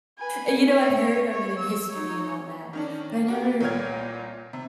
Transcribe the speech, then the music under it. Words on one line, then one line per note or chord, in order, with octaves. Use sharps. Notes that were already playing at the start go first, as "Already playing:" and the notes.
it. You know, I've heard of it in history and all that, but I never s
B4 G#5
C#5 E5
C#5
E6
D#4 C#5
D#3 C#4 D4
A#3 F#4 G4
C2 A#2 C#5 G5 F6 G#6
C3